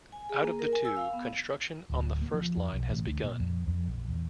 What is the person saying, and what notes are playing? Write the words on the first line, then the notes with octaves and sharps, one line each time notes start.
Out of the two, construction on the first line has begun.
G#5
G#4
A#3
A#4
G#5
E6
F5
B3
D1
A#3
F3
F2
B1
A1
D2
A#2
F2
F2
A#1
E2